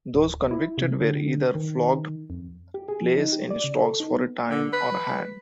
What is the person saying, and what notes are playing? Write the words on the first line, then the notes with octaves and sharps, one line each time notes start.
Those convicted were either flogged, placed in stocks for a time, or hanged.
D1
E4
C3
D3
D#3
F2
G4
G#4
F3
D#4
G4
D5
C#3
A4
D#4
B3
D3
B4